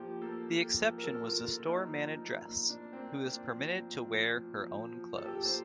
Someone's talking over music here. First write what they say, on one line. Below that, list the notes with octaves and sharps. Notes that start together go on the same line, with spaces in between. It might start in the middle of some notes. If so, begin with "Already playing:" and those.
The exception was the store manageress, who was permitted to wear her own clothes.
Already playing: A#2 F3 A#3 F4 G4
A#3 A4
A#3
F3
A#4
A#2 A4
F4
A#2
F4
A#2
D#4
F3
A#2
A#2
A#2 D4
C4
A#3 D4
A#2 D4
F3
A#2
F3
A#2
F3
F3
A#2 A4
G4
A4
A#2 C5